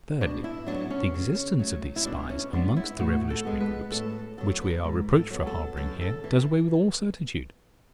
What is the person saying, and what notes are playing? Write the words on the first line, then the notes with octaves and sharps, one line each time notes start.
Thirdly, the existence of these spies amongst the revolutionary groups, which we are reproached for harbouring here, does away with all certitude.
B2 D4
E4
F#3 B3 D4
C#4
C#3
F#3 A3
E4
B2 D4
C#4
G#3 B3 D4
E4
A2 F#4
A4
G#3 B3
B4
A2 A4
F#3 B3 A4
B4
G#2
A4
F#3 B3
A4
F#2 A4
A4
E3